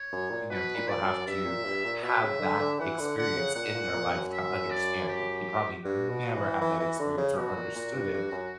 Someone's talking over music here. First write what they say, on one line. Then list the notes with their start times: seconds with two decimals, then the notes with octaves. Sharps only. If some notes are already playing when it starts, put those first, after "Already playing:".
you know, people have to have that experience in their life to understand that he probably never had that experience or understood it,
Already playing: C#5
0.12 F#2
0.31 A#2
0.50 B2 B4
0.76 A#2
0.88 D5
1.01 F#2
1.27 G2 E5
1.46 A#2
1.65 G2
1.84 A#2
2.03 B2 E5
2.22 C#3
2.41 D3
2.60 D3
2.79 E3 F#5
2.99 D3
3.18 D3 F#5
3.37 C#3
3.55 A#2 F#5
3.75 A#2
3.93 A#2
4.13 F#2
4.32 E5
4.70 D5
5.08 G4
5.84 G2 F#4
6.10 B2
6.36 E3
6.61 E3
6.80 E3
6.99 D3
7.17 C#3
7.37 B2 F#4
7.56 A#2
7.76 A#2
7.94 G2
8.13 G2
8.32 F#2